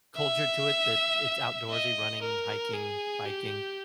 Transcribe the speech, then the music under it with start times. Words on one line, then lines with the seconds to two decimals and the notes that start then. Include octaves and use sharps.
culture to it, that it's outdoorsy, running, hiking, biking,
0.17 E5
1.70 D#5
2.22 A#4
2.73 G#4
3.25 G4